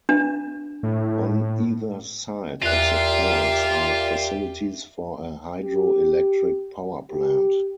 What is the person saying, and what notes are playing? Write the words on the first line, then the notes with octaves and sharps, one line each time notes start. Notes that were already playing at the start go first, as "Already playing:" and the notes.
On either side of the falls are facilities for a hydroelectric power plant.
D4
A2
E2 A#2 F4 G4 E5 F#6
G4
G4